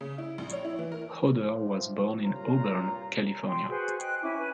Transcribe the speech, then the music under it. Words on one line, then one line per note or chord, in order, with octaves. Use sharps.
Hodder was born in Auburn, California.
C#3
E4
A#1
C#5
E4
E3
A#4
A2 F3
C2 G2 A#2 F4 C#5 A#5
G5 C6
F#4 G#4 B4 C5
D#5 G5 F#6
C#4 E4 G#5 D6
B4 G#5